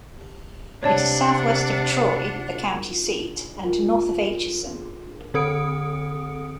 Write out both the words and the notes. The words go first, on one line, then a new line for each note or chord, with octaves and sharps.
It is southwest of Troy, the county seat, and north of Atchison.
C3 D4 C#5 D5 F#5 A5
F4
D3 C4 A4 D#6 C#7 D7